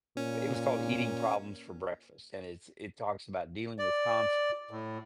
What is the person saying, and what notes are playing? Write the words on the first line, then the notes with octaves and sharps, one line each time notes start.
it was called Eating Problems For Breakfast and it's it talks about dealing with confli
A#2 C#4
D5
A2